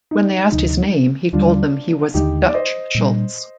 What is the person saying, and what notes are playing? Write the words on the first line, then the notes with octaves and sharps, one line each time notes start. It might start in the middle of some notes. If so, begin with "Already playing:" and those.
When they asked his name, he told them he was "Dutch" Schultz.
D#4
D2 C3 F3 D#4
D#2 D3 G3 D4 F4
D#2 D3 G#3 D#4 G4
D5
C5 D#5
A#2 G3 D4